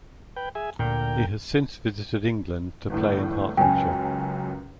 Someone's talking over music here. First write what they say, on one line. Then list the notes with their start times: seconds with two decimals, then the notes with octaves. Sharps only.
He has since visited England to play in Hertfordshire.
0.36 B4 G5
0.55 G#4 E5 G#5
0.79 D2 A#2 A#4 G5
2.90 G1 E2 A2
3.57 C#2 F#2 C#4 G5 G#5